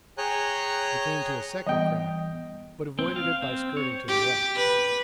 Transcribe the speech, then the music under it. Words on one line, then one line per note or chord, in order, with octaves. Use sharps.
We came to a second crack, but avoided it by skirting to the west.
G#4 C#5 G5 G#5 A#5 F#6
E3 G3 B3 D#5 G5
C4
F5
C4
C#5
G4
B4